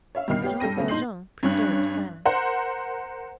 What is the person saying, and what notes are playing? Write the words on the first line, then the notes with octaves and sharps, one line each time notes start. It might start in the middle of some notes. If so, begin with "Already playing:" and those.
Jean Valjean preserved silence.
C#5 E5 F5
G2 B2 D#3 F6 C7
B3 G4 C#5
G2 A4 G5 A#6 D#7
F#2 C#3 B3
A#1 D#4 C6 G6 C7 F#7
G2 C#4 F#6
A#4 C5 F#5